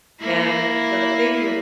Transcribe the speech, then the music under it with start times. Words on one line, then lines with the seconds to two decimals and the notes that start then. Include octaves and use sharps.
and the thing with
0.21 A#3 E4